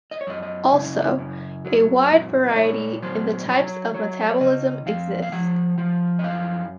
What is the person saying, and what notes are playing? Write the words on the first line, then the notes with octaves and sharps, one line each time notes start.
Also, a wide variety in the types of metabolism exists.
D#5
C#5
F#2 D#5
D#5
C#3
F#2
F#3
A#2
D#5
A#2 C#5
F#3 C5
F#3 C#5
F#3 C#5
C#5
C#3 D#5
F2 F5
F5
F3 F#5
F3
D#5
F#2 F5